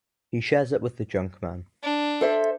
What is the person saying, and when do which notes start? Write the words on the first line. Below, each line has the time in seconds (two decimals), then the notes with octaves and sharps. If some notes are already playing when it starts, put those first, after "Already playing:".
He shares it with the junkman.
1.83 D4
2.21 A4 C5 E5